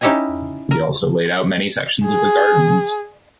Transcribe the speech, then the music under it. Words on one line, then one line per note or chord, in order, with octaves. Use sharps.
He also laid out many sections of the gardens.
C#4 D#4 E4 G4 D#5 G#5
A#4
G#4